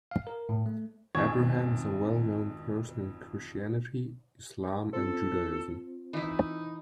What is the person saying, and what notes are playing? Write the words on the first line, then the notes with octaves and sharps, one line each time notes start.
Abraham is a well known person in Christianity, Islam and Judaism.
F5
A#4
A2
A3
G#1 F2 G#2 B2 D4 G#5 C#6 G#6
C4 F4 A4 C5
E3 D#4 E4